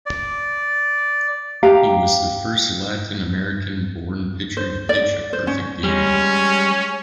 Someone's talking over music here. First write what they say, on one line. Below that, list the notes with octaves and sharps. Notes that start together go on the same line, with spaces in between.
He was the first Latin American-born pitcher to pitch a perfect game.
D5
G4 F5 A#5
C5
D5
C5
C#4
G3 G#3 C#4